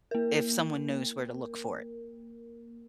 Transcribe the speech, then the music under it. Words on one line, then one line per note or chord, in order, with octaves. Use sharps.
if someone knows where to look for it,
A#3 A#4